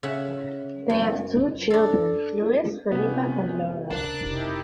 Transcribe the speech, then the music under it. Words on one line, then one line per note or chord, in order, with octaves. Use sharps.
They have two children, Luis Felipe and Laura.
C#3 E5 F#5
F#2
D4 A4
C3 B3 C#4
D2 C#3 D4 A#4 C5 F#6
F1 C3 D#4 E4 G4